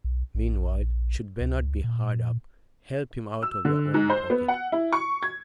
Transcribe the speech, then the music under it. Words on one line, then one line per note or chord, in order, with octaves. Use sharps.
Meanwhile, should Bernard be hard up, help him out of your own pocket.
B1
A#1
C#2
A#2
E6
D3
G#2
C5
B3
F#5
E4
C#6
G#6